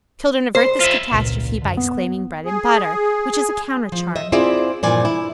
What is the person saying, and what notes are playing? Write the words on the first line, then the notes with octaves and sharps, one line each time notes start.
Children avert this catastrophe by exclaiming, "bread and butter," which is a counter charm.
C5
F4 E5
G#1 C#2 A#2
F#2 D3
B3
G#4
F3
D#5 E5
C4 E4 F4 G#4 D5 E5
G2 A#2 E3 F3 D5 G#5
E4